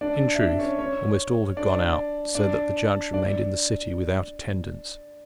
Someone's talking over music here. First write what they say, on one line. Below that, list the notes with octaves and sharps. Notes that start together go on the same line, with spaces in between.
In truth, almost all had gone out, so that the judge remained in the city without attendance.
D4 D5
E5
D4 D5
C#4 C#5
C#4 C#5
D4 D5
D4 D5
D4 D5